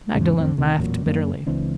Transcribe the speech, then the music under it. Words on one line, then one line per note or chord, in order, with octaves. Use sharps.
Magdalen laughed, bitterly.
E2 G#2 C#3
A1 F2 C4
D2 C3 D#3
A1 E2 A#2 F#3
F#2 A#3 D4
C#2 E3 C4 D4